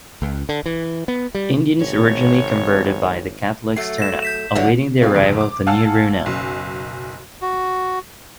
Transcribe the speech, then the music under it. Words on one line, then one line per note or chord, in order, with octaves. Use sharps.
Indians originally converted by the Catholics turn up, awaiting the arrival of the Niaruna.
C#2
D3
E3
B3
G3
G#1 C#5
F#3 A3 C7
A#6 E7
G6 B6 E7
D3 F#3 E4
G3 A3 C4 F4
F1 F2 C#3 D7
D6
F5 F#5 G#5 A5 E6 F6
F#1 B1
F#4